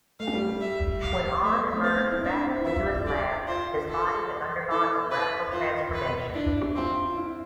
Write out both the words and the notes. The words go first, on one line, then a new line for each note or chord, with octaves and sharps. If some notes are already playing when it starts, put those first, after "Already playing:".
When Ohnn emerged back into his lab, his body had undergone a radical transformation.
A3 F5
G3
G3
E5
F5
A3 E5
B3
A3
C4
B3 F5
C4
E4
D4 E5
C4
E4
F4 E5
D5
F4 C5
F4 A4
E4 A4
B4
F4 C5
B4
D4 E4
C4 F4
F4
E4